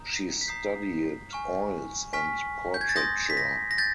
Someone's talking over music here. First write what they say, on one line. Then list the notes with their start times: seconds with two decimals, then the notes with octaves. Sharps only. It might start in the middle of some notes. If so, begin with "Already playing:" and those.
She studied oils and portraiture.
Already playing: A#5 D#6 G6
0.41 B6
0.48 A#5 D#6 G6 C7
1.31 G#5 C#6 F6
2.13 G#5 C#6 F6 B6
2.74 G6
2.81 G#6
2.89 A6
2.96 C6 D#6 G6 A#6
3.30 B6
3.37 A#6
3.71 A#6
3.78 G6 A6